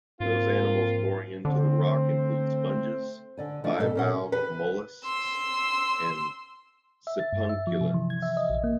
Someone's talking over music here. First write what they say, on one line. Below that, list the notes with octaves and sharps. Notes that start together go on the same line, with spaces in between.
Those animals boring into the rock include sponges, bivalve mollusks, and sipunculans.
G#2 A#3 C4 F4 A#4
D3 A3 C4 C5
D3 D5 G#5
D#3 F3 A3 C#4 D4
G#2 B2 B3 D4 A4 G#5
A#2 C#4 F#5
B4
C6 E6
E5
A6
G2
E5
F3
C3
E3
G#6
E5
D#5
A#1
A#3